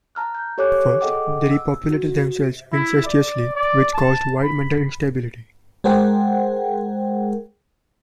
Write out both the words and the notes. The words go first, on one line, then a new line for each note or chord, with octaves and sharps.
At first they repopulated themselves incestuously, which caused wide mental instability.
A5 A#5 F6 F#6
G6
G4 A4 C#5 G#5 D6 F#6
G#4 A4 D#5 F#5 G5 D6
E6
F#4
E4
D5
D5
A5
B5
G#3 G#4 A#4 C5 F#5 G5